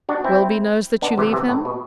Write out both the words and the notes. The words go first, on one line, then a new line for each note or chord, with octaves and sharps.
"Willoughby knows that you leave him?"
D4 F#4
C4 E4
B3 D4
C3 E3
C3 E3
A2
B2